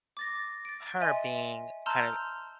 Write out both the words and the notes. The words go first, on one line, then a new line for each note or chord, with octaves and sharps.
her being kind of
D6 A6 A#6
A6 D7
D#5 E5 G#5 C6
A5 A#5 C6 E6 F6 G6